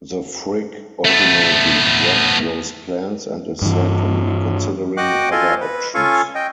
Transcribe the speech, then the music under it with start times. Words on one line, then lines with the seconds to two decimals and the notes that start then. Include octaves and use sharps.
The Frick ultimately dropped those plans and is said to be considering other options.
1.05 A3 B3
3.62 G2 E3
4.97 F#4 D#5 F#5 G5 D6 F#6
5.31 F4 A4 D#5 G#5 C6
5.61 B4
5.95 C#4 F4 A4 F5 G#5 C#6
6.35 D#5 G5